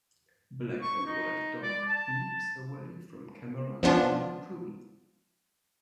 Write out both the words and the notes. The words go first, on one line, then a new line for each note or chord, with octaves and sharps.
Black and white dog leaps away from camera into pool.
C#6
D#4
D5
A5
F3 B3 C#4 D4 F4